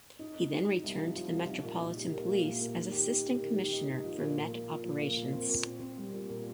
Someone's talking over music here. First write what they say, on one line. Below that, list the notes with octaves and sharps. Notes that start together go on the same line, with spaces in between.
He then returned to the Metropolitan Police as Assistant Commissioner for Met Operations.
D#4
D#4
D#4
D#4
C2
D#4
F3
C2
D#4
A#2
D#4
G4
A#3
A#3
A#2
A#3
D#3
G4
D#4
G4
D#3
G4
D#4
D#4
F3
A#2
A#3
A#2
A#2
F3
A#3
A#2
C4
A#2
C4
C4
G3
A#2
A#2